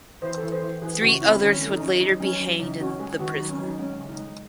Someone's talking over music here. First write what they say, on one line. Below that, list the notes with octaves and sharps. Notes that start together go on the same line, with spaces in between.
Three others would later be hanged in the prison.
E3 C5
A4
E3
C5
E3
E3 G#4
C#3 F#4
C4 E4
D#3 C#4
A3
D#4
C#4
F#3 D#4
F#3 C#4
F#3
C#3 D#4
C#4 F#4
G#3 G#4
D#3 F#4
D#4
F#3
C#4
F#3
D#4
G#3 C#4
C#3
D#4
G#3